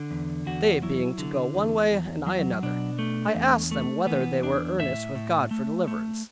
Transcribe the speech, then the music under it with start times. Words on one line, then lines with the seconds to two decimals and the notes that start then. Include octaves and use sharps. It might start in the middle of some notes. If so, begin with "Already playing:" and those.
They being to go one way, and I another, I asked them whether they were earnest with God for deliverance.
Already playing: D3
0.11 E2
0.46 E2 F#4
0.83 F#3 E4
1.19 D3
1.55 E2
1.91 E2
2.27 F#3
2.63 B2 D4
2.99 A3
3.35 E2
3.71 A3
4.07 E3 B3
4.42 E2 D4
4.79 A2 E5
5.15 A2
5.51 A3
5.88 A3